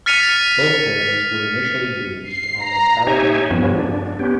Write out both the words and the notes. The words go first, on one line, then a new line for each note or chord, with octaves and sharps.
Both ferries were initially used on the Parramatta River run.
F6 A6 B6 C#7 D#7 F7
C7
A#5
D#4 G4 C#5 E5 G#5
G2 F3 B3 C#4
D4
B3 C#4 G4